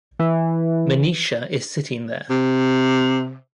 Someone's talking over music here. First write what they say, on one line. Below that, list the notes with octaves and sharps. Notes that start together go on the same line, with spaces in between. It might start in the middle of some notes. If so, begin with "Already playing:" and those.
Manisha is sitting there.
E3
C3